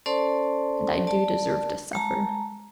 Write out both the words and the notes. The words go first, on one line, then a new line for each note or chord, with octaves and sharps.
And I do deserve to suffer.
C#4 A4 C5 D5 A5 C6
D5 A5
G#3 A5 A#5